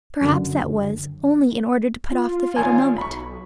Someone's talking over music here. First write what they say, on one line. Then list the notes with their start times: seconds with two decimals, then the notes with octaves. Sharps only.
"Perhaps that was only in order to put off the fatal moment."
0.21 F#2 D3
2.12 F4
2.56 G#1 G#5
2.98 B1 B5 C#6